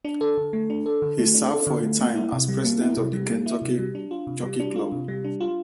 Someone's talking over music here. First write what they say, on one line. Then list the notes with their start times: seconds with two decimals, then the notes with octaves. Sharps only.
He served for a time as president of the Kentucky Jockey Club.
0.05 D4
0.21 A4
0.37 D3
0.53 A3
0.70 D4
0.86 A4
1.02 D3
1.18 A3
1.34 D4
1.50 A4
1.67 D3
1.83 A3
2.00 A#3
2.15 E4
2.33 C3
2.48 G3
2.65 A#3
2.81 E4
2.97 C3
3.13 G3
3.29 A#3
3.46 E4
3.62 C3
3.79 G3
3.95 D4
4.11 F4
4.27 C3
4.43 G3
4.60 D4
4.76 F4
4.92 C3
5.08 G3
5.24 D4
5.40 F4